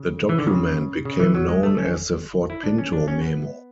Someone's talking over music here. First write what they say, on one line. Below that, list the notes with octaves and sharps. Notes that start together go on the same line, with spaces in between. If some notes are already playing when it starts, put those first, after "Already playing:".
The document became known as the "Ford Pinto Memo".
Already playing: C#3
E3
D3
C#3
C#3
E3
F#3
G#3
A3
C#4
E4
D4
C#4
D4
C#4
B3